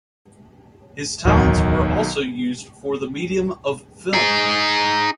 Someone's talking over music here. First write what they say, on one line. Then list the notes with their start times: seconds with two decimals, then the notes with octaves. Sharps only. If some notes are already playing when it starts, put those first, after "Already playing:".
His talents were also used for the medium of film.
1.25 D1 B1 E2 D#3 F#3
4.13 D#4 G#4